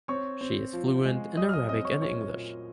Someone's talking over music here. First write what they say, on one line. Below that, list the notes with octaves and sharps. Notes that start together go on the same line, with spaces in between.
She is fluent in Arabic and English.
C4 C#5 C#6
C4
F3
G#3
F#3 D#5 D#6
F6
D#5 D#6
C4 D#5 D#6
C#5 C#6
A#2 C#5 C#6
A#2